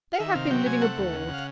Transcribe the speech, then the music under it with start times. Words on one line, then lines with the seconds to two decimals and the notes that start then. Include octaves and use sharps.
'They have been living abroad.
0.14 F5
0.20 D#3 E5
0.35 C3 F5
0.51 F#3 G5
0.66 C3 G#5
0.82 A3 F#5
0.98 D#2
1.13 C#3
1.28 C#3 F5